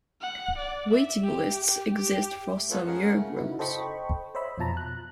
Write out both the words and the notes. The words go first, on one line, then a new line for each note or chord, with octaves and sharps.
Waiting lists exist for some year groups.
F#5
D5
E5
G4
G4
G4
A3
G#3 B3 F4 A4 B4 C#5
C#4 G#4 A#4 F#5
C#3 A3
C#3 D#4 E4 F#4 B4
A4 C5 D#5 G5 B5 C#6
C5 C#5 D#5 E5 B5
F2 B2 F4 A5 A#5
F#6